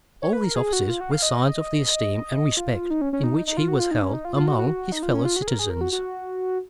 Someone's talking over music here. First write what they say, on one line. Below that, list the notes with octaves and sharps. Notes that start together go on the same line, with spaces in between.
All these offices were signs of the esteem and respect in which he was held among his fellow citizens.
C#5
B4
A#4
G#4
F#4
F4
F#4
F5
D#5
F4
D#4
C#4
C#4
D#4
D#4
F4
F#4
F4
D#4
C#4
D#4
F4
F4
F#4
F#4
D#4
F4
C#4
F4
F#4
G#4
A#4
G#4
A#4
F#4
F#4